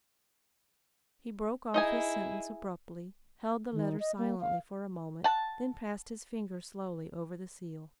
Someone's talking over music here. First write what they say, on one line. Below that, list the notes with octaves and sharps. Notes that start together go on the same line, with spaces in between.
He broke off his sentence abruptly, held the letter silently for a moment, then passed his fingers slowly over the seal.
D#4 E4 G#4 D#5 G#5
D#3
D#5
A#3
F5
F#5 A5